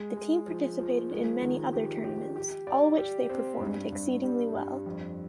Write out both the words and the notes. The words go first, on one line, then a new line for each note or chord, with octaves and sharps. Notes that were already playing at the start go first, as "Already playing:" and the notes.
The team participated in many other tournaments, all which they performed exceedingly well.
Already playing: G#3
G#3
F3
F3
G#3
D#3
G4
G4
G4
D5
G4
C4
G2
G2
G3
G2
F2